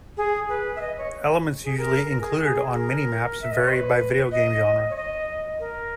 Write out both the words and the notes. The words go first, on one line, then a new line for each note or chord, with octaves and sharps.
Elements usually included on Mini-maps vary by video game genre.
G#4
B4
E5
D#5
C#5
G#4
A#4
A#4
G#4
G#4
A#4
E5
D#5
C#5
B4
D#5
C#5
D#5
A#4